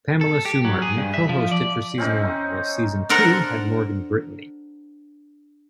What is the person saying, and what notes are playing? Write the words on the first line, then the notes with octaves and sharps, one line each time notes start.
Pamela Sue Martin co-hosted for Season One, while Season Two had Morgan Brittany.
A4
G4
F#3
G#4
G2
E5
F3
D5
C4 C#4 D#4
D4 A4 A#4 C5 F#5